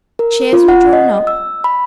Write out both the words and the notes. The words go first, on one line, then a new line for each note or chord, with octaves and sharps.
Chairs were drawn up.
A#4
F4
F#5
D#5
E6
B5